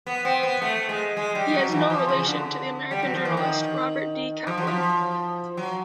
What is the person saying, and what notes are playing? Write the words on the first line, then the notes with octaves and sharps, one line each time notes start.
He has no relation to the American journalist Robert D. Kaplan.
B3
C4
B3
A3
G#3
G#3
G3
F#3
E3
F3
C#3
D3
G3
F#3
F3
E3
D#3
F3
F#3
F3
F#3